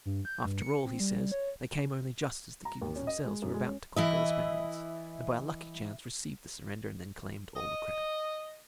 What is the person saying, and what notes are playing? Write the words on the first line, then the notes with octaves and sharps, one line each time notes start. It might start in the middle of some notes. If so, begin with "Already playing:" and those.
After all, he says, they came only just as the Cubans themselves were about to conquer the Spaniards, and by a lucky chance received the surrender and then claimed all the credit.
G2
G6
G2
C#7
C4
G3
C#5
A#5
D#2
C#4
D#5
G#3
F#2
G#3
C#4
E3 E4 D#5
D#5